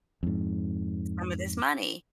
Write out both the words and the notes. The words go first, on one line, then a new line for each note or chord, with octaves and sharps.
some of this money
F2 G#2